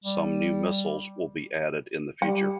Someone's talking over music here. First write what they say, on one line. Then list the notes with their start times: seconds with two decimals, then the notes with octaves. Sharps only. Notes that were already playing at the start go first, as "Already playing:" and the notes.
Some new missiles will be added in future.
0.04 G3
2.22 G3 G5